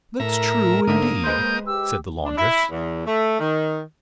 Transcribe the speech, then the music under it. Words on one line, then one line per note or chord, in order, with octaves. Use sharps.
"That's true, indeed!" said the laundress.
A2 A#4 E5 A#5
G#2 D3 A#3 E5 D#6
G#3 B4 C5 G6
G4 E6
D4
E4
E2
A3
D#3